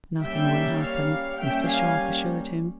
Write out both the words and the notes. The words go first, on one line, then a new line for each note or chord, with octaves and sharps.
"Nothing will happen," Mr. Sharp assured him.
G3 A#3 C#4 E5 G5
C#5 F5
G3 A#3 C#4 E5 G5
F5 G#5